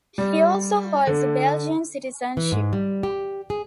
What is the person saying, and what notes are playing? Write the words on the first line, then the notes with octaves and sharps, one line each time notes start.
He also holds a Belgian citizenship.
G3
D3
E3
G#2
G3
G4
G#4